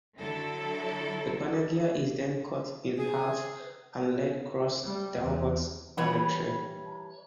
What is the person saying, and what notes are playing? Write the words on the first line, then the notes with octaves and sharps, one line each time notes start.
The Panagia is then cut in half and laid crust downwards on a tray.
D3 F#3 E4 A4
G#4
G3
E2
E3 G3 B4 C#5